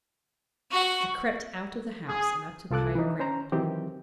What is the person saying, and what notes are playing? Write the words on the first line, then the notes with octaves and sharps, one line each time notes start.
I crept out of the house, and up to the higher ground.
F#4 F#5 C#6
G#4
C2 F4 A4 D6 F#6
E3 D#4
C#4 C5 A#5
D#3 E3 F#3 C4 G4